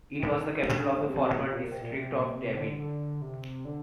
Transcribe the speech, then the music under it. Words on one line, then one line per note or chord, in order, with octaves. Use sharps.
It was the capital of the former district of Demmin.
D#3
D3
C3
A#2
C3
A#2
A#2
C3
A#2
C3
A#2
C3
D3
D3
C3
D3